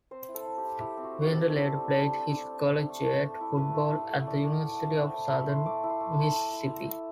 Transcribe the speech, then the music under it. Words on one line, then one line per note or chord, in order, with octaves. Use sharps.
Winder later played his collegiate football at The University of Southern Mississippi.
C4 C5
E4
A4
E4
G4
E4
E4 G4
C4
F#4
E4
F#4 G4
C4
G3 A4
G3
D4
G3
G3
G3
D4
D4
A3
A3
A3
E4
A3 B4
A3
E4
A3
A3 D5
A3 G5
F#5
A3
F#5
C4
A3 G5
E4 A5
E4 B5
A3 C6
A3 D6
E4
C6
A3
C6
A3
A3
E4
E4
E4